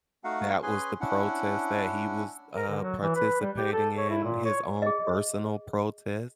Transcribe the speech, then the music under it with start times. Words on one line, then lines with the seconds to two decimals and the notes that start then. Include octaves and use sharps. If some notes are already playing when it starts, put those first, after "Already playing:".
That was the protest that he was, uh, participating in, his own personal protest.
0.24 A3 D#4 F#4 F5 F#5
0.63 C#4 G#4 B4 G#5 C6
1.01 C#4 D4 E4 F#5
2.56 A#4
2.69 D3
2.82 F#3
3.01 E3
3.15 B4
3.41 G3
3.56 G4
3.73 A4
3.98 C#5
4.10 E4
4.24 A#2
4.45 C#5
4.82 G#4 D#5